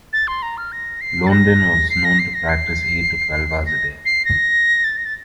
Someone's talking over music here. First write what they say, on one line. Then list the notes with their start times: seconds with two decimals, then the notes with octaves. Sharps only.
Londin was known to practice eight to twelve hours a day.
0.13 A6
0.28 C6
0.42 A#5
0.58 F6
0.72 A#6
1.01 C7
1.27 A6
1.31 A#6
1.90 C7
2.05 A#6
2.19 C7
2.34 A#6
2.49 C7
3.66 A#6
4.05 C7
4.25 A#6
4.84 A6
4.97 A#6
5.05 A6